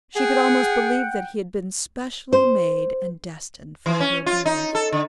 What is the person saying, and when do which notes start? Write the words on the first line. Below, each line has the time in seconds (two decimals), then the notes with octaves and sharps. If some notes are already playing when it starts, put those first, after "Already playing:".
She could almost believe that he had been specially made and destined for her behoof.
0.16 G#4 F#5 G5
2.33 C5
3.86 E3
4.00 C#4
4.26 F4
4.46 D#4
4.75 A4
4.93 D3